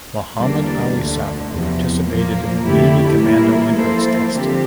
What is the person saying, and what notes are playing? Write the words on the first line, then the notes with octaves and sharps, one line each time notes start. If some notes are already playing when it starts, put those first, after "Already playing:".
Mohammad Ali Safa participated in the Navy commando entrance test.
E2 D3 G3 A#3 D4
D2 D3 A3
E2 C3 F3
A#2 F3 A#3
F2 D3 A3 E4 G4
A2 E3 G3 A#3 E4
F3 A#3 E4 A4 C5
D3 F3 C4 G4